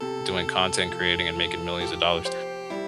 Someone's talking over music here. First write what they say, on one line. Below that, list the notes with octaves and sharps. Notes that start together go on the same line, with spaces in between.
doing content creating and making millions of dollars;
C3 A4
C3
F3
F3
F3 G4
G4 C5
G3 E4